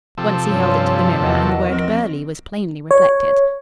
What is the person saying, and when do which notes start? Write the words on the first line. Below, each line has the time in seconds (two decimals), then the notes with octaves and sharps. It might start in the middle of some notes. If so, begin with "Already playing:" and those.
Once he held it to the mirror, and the word "Burghley" was plainly reflected.
0.18 C3 F3 A4
0.48 G2 C#4 C#5 F5 C6
1.18 E2 F#4 A#4 D#5
1.69 F3 C4
2.91 C#5